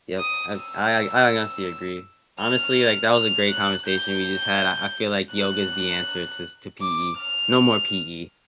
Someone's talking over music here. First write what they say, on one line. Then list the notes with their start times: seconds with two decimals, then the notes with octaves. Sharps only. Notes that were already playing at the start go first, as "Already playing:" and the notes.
yep, I I I I honestly, agree. Honestly, like, that was a great conversation we just had, I I feel like yoga’s the answer to s to PE. No more PE.
0.20 D#6
0.57 E6
2.41 F6
3.14 F6
3.50 F#6
3.87 G6
5.34 F#6
6.81 D6
7.18 F6